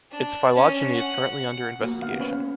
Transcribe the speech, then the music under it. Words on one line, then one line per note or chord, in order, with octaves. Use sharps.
Its phylogeny is currently under investigation.
D4
C#4
F#5
A#3 F#4
B3 F5 F#5
C#4 B4 C#5